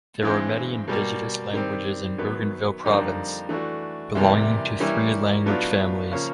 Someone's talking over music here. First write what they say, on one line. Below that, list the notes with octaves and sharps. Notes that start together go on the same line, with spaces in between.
There are many indigenous languages in Bougainville Province, belonging to three language families.
G2 E3 G#3 C4
B2 G3 A#3
D#3 G3 C4
F#2 D#3 F#3 B3
F2 D3 G3 A#3 D#4
E3 A3 D4 F#4
E2 C3 E3 G3 A#3
E3 G3 A#3 C#4 E4
A2 F#3 B3 D4 F4
C#3 F3 A#3 C#4